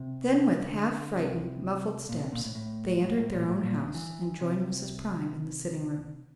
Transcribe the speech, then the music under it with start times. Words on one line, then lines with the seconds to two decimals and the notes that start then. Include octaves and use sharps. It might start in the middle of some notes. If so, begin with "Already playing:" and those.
Then with half-frightened, muffled steps they entered their own house, and joined Mrs. Prime in the sitting-room.
Already playing: C3
0.70 D3
1.16 C3
2.09 A#2
2.20 C3
2.32 A#2
2.44 A2
2.55 A2
3.02 A2
3.17 A2
3.33 A#2
3.48 A2
3.63 A#2
3.79 D3
3.94 E3
4.40 C3